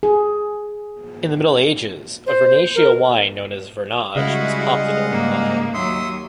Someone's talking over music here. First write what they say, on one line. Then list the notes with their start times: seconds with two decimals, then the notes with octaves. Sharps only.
In the Middle Ages, a Vernaccia wine known as "Vernage" was popular in London.
0.03 G#4
2.27 C5
2.75 A#4
4.15 C#3 G3 G#3 E4 F#4 D#5 F5 F#5
5.08 G#2 A#3
5.74 D#2 F#3 E5 C6 D#6